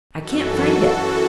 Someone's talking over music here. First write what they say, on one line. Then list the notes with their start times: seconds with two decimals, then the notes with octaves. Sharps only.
I can't find it.
0.20 F#2 E3 F#4 A4
0.81 F#2 E3